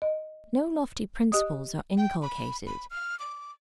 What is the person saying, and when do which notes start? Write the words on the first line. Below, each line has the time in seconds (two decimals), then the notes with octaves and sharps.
No lofty principles are inculcated.
0.02 D#5
1.32 G4 D#5 D#6
1.97 G5
2.22 B5
2.67 B5
2.90 F6
3.19 D6